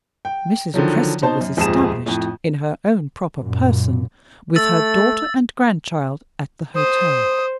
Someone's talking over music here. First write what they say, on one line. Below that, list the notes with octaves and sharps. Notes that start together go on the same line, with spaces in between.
Mrs. Presty was established, in her own proper person, with her daughter and grandchild at the hotel.
G5
D3 D#3 F3 F#3
B2 D#4 C5 A5
F#2
D#1 F2 G#2 G#4 A5 E7
F2 A2
F#2 A#2
A3 E6 A6
C5 D#6